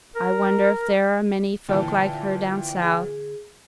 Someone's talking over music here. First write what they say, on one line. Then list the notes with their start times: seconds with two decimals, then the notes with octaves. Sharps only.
'I wonder if there are many folk like her down South.
0.16 A#4
1.69 A#2 D3 E3 G5 A5
2.82 G#4